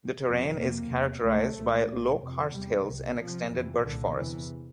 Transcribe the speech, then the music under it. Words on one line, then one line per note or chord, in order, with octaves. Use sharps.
The terrain is characterised by low karst hills and extended birch forests.
F2 C3
F2 C3 A#3
E2 C3
D2 C3 A3
C2 A#2
C2 A#2
F2 C3
E2 C3 G3
C2 C3
C2 C3 F3
F2 C3 E3
C2 A#2 D3
E2 C3 E3